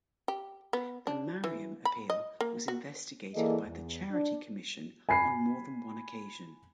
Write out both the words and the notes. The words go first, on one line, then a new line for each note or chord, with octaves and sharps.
The Mariam Appeal was investigated by the Charity Commission on more than one occasion.
G4
B3
D4
E3
B5
D#5
A#3
F#4
E3 A#3 G#4 A4 D5 D#5
E2
D4
G#5 B5 C7